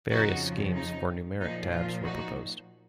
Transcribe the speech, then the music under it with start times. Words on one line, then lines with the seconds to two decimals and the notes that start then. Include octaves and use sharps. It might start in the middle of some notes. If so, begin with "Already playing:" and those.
Various schemes for numeric tabs were proposed.
0.11 F2 C#3 F3 D#4 F#4
0.76 D#4
1.41 A#2 F3 D#4
1.72 F4
2.05 D#4 F#4